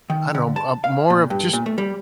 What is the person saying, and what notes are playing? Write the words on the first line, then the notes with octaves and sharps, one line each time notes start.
I don't know uh, a more of just
D#3
D3
A5
F5
A#2
G2
A#2
A3
G3